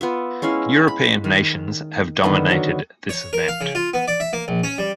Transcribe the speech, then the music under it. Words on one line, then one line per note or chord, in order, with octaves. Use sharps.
European nations have dominated this event.
B3 F4 E5
G#3 C#4 E4 F5
B5
D#3
D3 D#3 B3
F#3
C#5
A#4
F5
C#3
F4
B3
D5
E5
A#3
A#1
C#4
G3